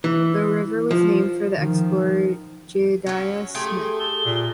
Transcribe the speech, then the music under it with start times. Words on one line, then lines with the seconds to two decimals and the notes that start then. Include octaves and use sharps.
The river was named for the explorer Jedediah Smith.
0.04 E3
0.91 F3
1.57 D#3 F3
3.06 F#3 C#4
3.55 A3 G4 G#4 C6
3.99 A4 G7
4.25 A#2